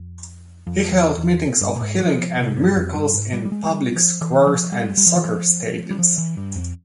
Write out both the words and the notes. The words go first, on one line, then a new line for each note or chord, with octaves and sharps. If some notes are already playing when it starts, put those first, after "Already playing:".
He held meetings of healing and miracles in public squares and soccer stadiums.
Already playing: F2
F2
E2
E2
G2
A#2
G#2
F3
F3
C3
G2
F2
G2
G#2
G3
G3
G#3
G#3
G3
F3
E3
F3
G3
G3
F3
E3
F3
G3
F3
E3
G2
F2